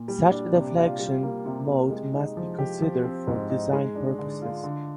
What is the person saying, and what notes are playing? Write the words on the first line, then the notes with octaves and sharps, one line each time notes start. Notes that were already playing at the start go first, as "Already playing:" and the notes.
Such a deflection mode must be considered for design purposes.
Already playing: A#2
G3
D4
C3
F4
G3
A#3
C3
C3
G#3
D#4
F3
G4
F3
C4
G#2
D#4
G#3
D4
D3
F4
D3